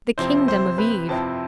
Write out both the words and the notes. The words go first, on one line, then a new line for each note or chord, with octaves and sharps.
The kingdom of Eve.
F2 C3 F3 C4 E4 C5
C5
B4
F2 C3 F3 C4 E4 A5